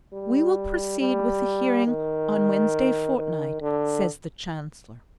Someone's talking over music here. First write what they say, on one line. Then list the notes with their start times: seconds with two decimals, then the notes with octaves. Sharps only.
"We will proceed with the hearing on Wednesday fortnight," says the Chancellor.
0.13 G3
1.00 G3
1.87 D#3
3.18 D#3
3.62 D3